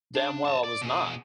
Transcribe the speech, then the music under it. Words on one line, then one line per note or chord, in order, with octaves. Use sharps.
damn well I was not.
D4
A5 A#5
D5
B2 G#4